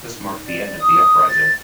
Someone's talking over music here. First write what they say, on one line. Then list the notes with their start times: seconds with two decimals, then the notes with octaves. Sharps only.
This marked the end of the uprising.
0.12 G#2
0.47 D5
0.80 D#6
1.28 A6